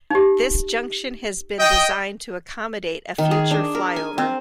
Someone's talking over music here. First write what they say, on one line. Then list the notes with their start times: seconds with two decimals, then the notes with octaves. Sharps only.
This junction has been designed to accommodate a future flyover.
0.10 D#4 G4
1.59 D#5 G5
3.18 D#3
3.31 G#4
3.51 D4
3.75 A#4
3.96 G#5
4.18 C4